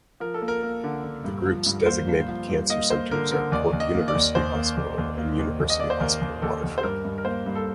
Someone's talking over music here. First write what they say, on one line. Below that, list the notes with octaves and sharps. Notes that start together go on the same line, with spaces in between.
The Group’s designated cancer centres are Cork University Hospital and University Hospital Waterford.
F3 A#4
A4
A#3
A#4
A#3
D3
D3
G2
F3
G2
A#3 C5
A#3
F3
G2
A#3 D#5
A#3 C5
D3 A#4
D3 A#4
D#2 D5
D#2
D#5
A#3
D5
D#2
D#2 C5
A#3
D#2
D#2
A#3
D#2
D#2
D#5
A#3 D5
C5
D#2 A#4
D#2
D#2 A4
D#2
C5
G2 A#4
G2
A#4
A#3 C5
G2
A4